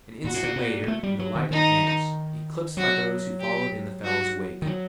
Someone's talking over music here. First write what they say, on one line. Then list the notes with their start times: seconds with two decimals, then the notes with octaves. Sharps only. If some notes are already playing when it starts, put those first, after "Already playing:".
An instant later and the light had vanished, eclipsed by those who followed in the fellow's wake.
0.24 A#2 F#4
0.34 A2
0.43 A#2
0.56 A#2
0.88 A3
1.03 G3
1.19 F#3
1.35 D#3
1.51 D#3 D#4
2.77 F#3 F#4
3.40 G4
4.04 F#4
4.62 D#3
4.67 F#3